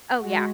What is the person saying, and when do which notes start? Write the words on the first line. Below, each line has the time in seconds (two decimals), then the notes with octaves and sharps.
Oh, yeah.
0.23 G#3 F#4